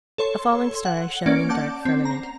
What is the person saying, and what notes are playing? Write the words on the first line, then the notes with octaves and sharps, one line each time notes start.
A falling star shone in the dark firmament.
A4 C#5 C6
F#5
A#3 C#4 D5 D7
F#5 A5 D6 G6
C4
A#5